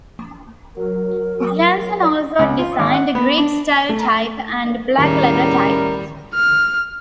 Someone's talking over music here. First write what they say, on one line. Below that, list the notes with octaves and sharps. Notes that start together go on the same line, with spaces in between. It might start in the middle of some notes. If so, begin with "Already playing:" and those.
Jenson also designed Greek-style type and black-letter type.
F#3 A#4
C#2
F4
G#1
F#5
B3
D4
A3
D#2 A2 C#3 G3 E4 A#4
F6